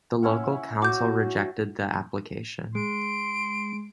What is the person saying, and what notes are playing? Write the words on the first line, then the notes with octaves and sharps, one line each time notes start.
The local council rejected the application.
C#4 E4 F#5
F#4 D6 G6
G#3 C6 D7